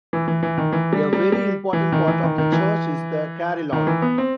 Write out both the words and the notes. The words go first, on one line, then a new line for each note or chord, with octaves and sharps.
A very important part of the church is the carillon.
E3
E3
E3
D#3
E3
G3
G3
G3
E3
D#3
E3
D#3
D#3
E3
D#3
E3
B3
C4